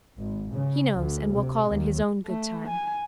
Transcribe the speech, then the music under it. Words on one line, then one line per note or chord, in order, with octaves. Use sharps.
He knows and will call in His own good time.
G#1
C#3
D2
C3
D#2
A3
G#5